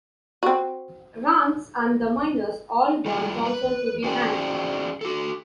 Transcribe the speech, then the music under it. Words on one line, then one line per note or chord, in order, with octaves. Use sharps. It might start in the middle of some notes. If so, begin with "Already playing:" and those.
Rance and the miners all want Johnson to be hanged.
C4 F#4
G3 A3 F4
B4
C#4 F#4 G#4 C5 D5 G5
F#4 A4